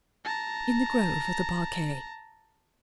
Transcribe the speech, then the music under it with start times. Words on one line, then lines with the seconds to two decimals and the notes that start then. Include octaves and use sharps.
"In the grove of the parquet."
0.24 A5 A#5